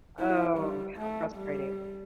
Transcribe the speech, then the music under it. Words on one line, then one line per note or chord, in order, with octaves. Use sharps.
Oh, how frustrating.
E4
G3
A3
G3